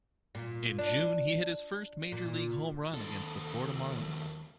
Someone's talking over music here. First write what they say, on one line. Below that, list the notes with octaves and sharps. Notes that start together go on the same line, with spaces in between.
In June he hit his first major league home run against the Florida Marlins.
A#2
D4
A#2
D#2 A4